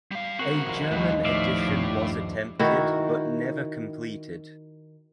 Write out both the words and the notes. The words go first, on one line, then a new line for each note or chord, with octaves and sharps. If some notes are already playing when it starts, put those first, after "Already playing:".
A German edition was attempted but never completed.
G3 F5
C4 F#4 A#4
D#1 A#1 F4
D#2 A2 F3 G3
A2 D5 E5 F5
A#1 G2
D#3 E4 F#4